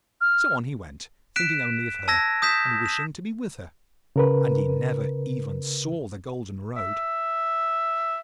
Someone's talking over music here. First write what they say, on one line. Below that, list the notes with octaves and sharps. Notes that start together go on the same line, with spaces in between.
So on he went, thinking only of her, and wishing to be with her; and he never even saw the golden road.
F6
F#6 B6 D7 E7
A5 E6 G#6 A#6
D#6 G6 B6 E7
E7
C#3 A#4 B4
E5